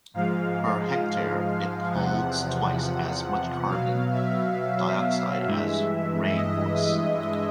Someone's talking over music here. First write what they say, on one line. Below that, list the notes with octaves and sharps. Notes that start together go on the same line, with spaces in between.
Per hectare, it holds twice as much carbon dioxide as rain forests.
G#2 F3 G#3 F5
E2 C3 F3 F#5
B2 F#3 F5
E5
G2 E3 G#3
D#5
D#5